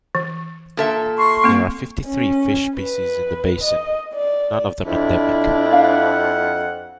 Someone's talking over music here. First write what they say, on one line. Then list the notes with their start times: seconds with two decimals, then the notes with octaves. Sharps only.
There are fifty-three fish species in the basin, none of them endemic.
0.15 E3
0.77 A#2 A4 E5
1.16 C6 C#6
1.44 A#3 C4
2.06 C#4
2.77 B4
3.63 D#5
4.14 D5
4.87 F2 D4 E4
5.73 F5 F#5